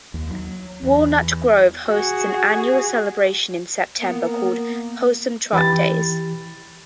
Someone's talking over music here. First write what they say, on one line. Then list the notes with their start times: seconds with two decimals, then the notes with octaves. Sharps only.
Walnut Grove hosts an annual celebration in September called 'Possum Trot Days.
0.14 D#2
0.30 F#3
0.83 E2
1.88 F#4 G#4
4.00 A#3 B3
5.53 E3 G4 B5 A6